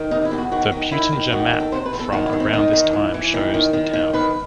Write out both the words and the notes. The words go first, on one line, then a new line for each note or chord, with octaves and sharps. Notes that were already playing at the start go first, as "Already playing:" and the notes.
The Peutinger Map from around this time shows the town.
Already playing: D#3
C3 D#4
E4
E2 G4
F#4
D#3 F#4
D#3
D#3 E4
D#3
D#3 F#4
G4
D#3
A4
C3 C5
B4
E2
A4
D#3 F#4
E4
D#3
C4
D#3 D#4
D#3
E3
E3
D#3
D#3
D#3
D#3
D#3 B4